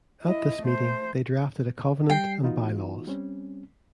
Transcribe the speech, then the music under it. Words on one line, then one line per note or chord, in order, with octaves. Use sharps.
At this meeting, they drafted a covenant and bylaws.
E4 D#5
A3 C5
G3 G5 C7
E3 B3 D#4 F4 F#4
G3 C4 C#4